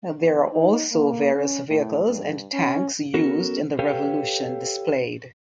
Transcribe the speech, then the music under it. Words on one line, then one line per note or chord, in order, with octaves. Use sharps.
There are also various vehicles and tanks used in the revolution displayed.
E2
D#4
A#3
C#4
A2
G2
C#4
B3 C#4 F#4 A4 A#4
G4 A4 B4 C#5 F5 G5